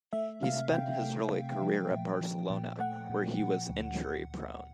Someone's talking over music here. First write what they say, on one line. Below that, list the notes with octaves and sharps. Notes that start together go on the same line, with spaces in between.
He spent his early career at Barcelona, where he was injury-prone.
A3 E5
C3 F5
C3 G5
A3
C3
F3
A#2
F3
A#2
A3 F#5
A#2
A#2
D2